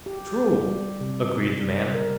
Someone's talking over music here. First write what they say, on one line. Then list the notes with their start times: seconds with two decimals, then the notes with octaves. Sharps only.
"True," agreed the man.
0.06 G4
0.53 G3
1.01 C3
1.48 G3
1.94 A#4